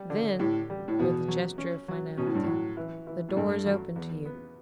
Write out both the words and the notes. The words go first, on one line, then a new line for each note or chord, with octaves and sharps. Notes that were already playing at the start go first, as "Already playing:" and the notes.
Then," with a gesture of finality, "the door is open to you.
Already playing: G3
D3
A2 G4
G3
A2
E2 B2
F#3
C#4
F#3
B2 C#4
A2
G2
A2 F#3
E3
E3
A2
G2 A3
F#3
E2
B3